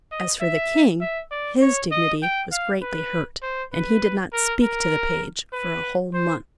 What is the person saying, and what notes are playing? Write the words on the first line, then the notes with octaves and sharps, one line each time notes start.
As for the king, his dignity was greatly hurt, and he did not speak to the page for a whole month.
D#5
E5
E5
D5
C#5
D#5
G5
F5
B4
C5
B4
A#4
A#4
B4
C5